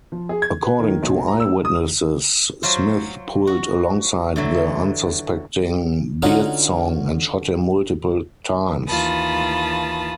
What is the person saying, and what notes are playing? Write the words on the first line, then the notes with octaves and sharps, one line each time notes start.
According to eyewitnesses, Smith pulled alongside the unsuspecting Byrdsong and shot him multiple times.
F3
G#4
G#6
B4
D#3
B1
A#5
E6
D#6
F#3 F4 C5
F#4
D3 E3 F#3
D3 C#4 D#4 F4 F#4
D#2 E3 F4 A5 B5 D#6